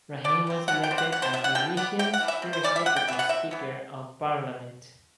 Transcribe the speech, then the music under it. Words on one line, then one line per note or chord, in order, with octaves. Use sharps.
Rahim was elected as the region's first deputy speaker of parliament.
B2 D5
G3 C4
B2 F#5
G5
G3 C4
F#5
B2 F#5
C5
B3 E5
G3
F#5
B2 G5
G3 B3 F#5
C3 G5
F#5
E3 G3
E5
C3
C5
E3 G3 D5
E5
C3 F#5
G5
E3 E5
B3
F#5
C3 E5
E3 B3